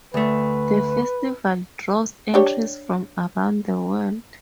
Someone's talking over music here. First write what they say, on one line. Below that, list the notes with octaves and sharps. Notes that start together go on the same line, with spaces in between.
The festival draws entries from around the world.
D2 A3 B4
D4 G4 C#5